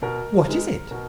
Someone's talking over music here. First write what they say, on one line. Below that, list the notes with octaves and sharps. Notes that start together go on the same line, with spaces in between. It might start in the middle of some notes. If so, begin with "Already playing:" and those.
"What is it?"
B2 A#4
G#3 B3 D#4
B2 A#4